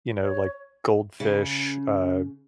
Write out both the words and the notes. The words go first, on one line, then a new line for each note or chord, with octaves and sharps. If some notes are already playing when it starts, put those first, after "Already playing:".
you know, like, goldfish, uh,
C#5
C#3